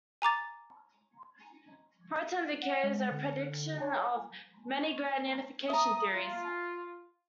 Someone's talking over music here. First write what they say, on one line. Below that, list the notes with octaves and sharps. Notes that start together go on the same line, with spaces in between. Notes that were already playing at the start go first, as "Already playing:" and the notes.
Proton decay is a prediction of many grand unification theories.
G#5 A#5 D6 A6
F#5
G#3
D3
C#5
E5 A5 A#5 D#6
F4